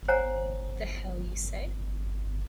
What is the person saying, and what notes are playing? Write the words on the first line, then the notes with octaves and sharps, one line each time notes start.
The hell you say!
C5 C#5 F#5 G#5 A#5